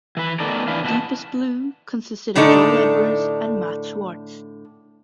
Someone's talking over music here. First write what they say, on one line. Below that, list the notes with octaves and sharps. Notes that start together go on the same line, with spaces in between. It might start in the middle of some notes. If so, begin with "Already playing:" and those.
Deepest Blue consisted of Joel Edwards and Matt Schwartz.
E3 B4
D#3 A3 B3 A4 A#4 D5
E3 D4 B4 F5
B2 E3 B4 F#5 A5
A2 D3 A3 D4 D#4 A4